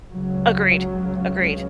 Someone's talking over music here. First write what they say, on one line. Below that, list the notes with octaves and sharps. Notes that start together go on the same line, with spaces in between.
Agreed. Agreed.
C#2 C#3 F#3